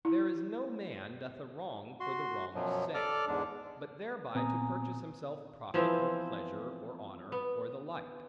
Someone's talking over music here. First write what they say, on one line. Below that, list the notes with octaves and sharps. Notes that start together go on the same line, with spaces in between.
There is no man doth a wrong, for the wrong's sake; but thereby to purchase himself profit, or pleasure, or honor, or the like.
E4
F#4 C6
F#2 B2 F3 F#3
A4 D5 D6 F6
E2 G#2 G#3 D4
A#2 B3 C4 G#5 A#5 D#6
E3 F3 B3 C4
B3